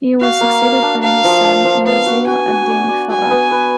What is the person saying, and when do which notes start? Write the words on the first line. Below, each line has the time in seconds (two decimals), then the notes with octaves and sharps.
He was succeeded by his son Nasir-ad-Din Faraj.
0.21 F#4 F5
0.41 A#3
0.62 A#3
0.83 D4
1.03 D4 F5
1.24 F3
1.45 D4
1.65 F3
1.86 B3 F5
2.06 F#4
2.27 F#4 G#5
2.48 F#4
2.69 D5
2.89 D5
3.10 F#4 G#5
3.30 B3
3.51 B4